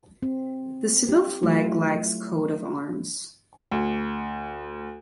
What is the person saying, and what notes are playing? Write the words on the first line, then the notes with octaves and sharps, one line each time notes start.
The Civil flag lacks Coat of Arms.
C4
G4
F#3 A3 E4 F4
D2